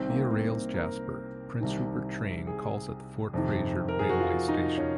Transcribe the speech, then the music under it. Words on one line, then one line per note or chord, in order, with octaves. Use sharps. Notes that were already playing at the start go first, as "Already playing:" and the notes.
Via Rail's Jasper - Prince Rupert train calls at the Fort Fraser railway station.
Already playing: C2 C3 D#3 C4
A#3
A#3
A#4
C2 C3 D#3
G#4
F2 C3 D#3
A#4
G#4
F#4
F4
D#4
C#4